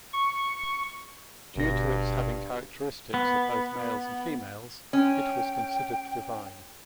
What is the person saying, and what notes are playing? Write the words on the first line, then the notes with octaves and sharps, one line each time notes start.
Due to its having characteristics of both males and females, it was considered divine.
C#6
G1 G2 B2 A#6
B3
C#4 G5